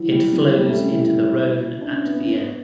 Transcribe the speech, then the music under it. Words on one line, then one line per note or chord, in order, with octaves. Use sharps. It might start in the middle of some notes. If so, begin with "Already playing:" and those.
It flows into the Rhone at Vienne.
Already playing: E3 F#3
G3
F#3
G3
A3
C#4
E4
E4
D4
C#4
B3
C#4
B3